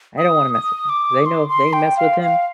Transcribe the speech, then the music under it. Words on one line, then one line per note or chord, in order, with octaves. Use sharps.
I don't wanna mess with him, 'cause I know if they mess with him,
D#6
D#6
D6
C6
C6
G5
F5
F5